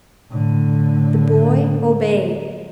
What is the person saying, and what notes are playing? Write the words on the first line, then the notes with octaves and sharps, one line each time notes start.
The boy obeyed.
A2 D3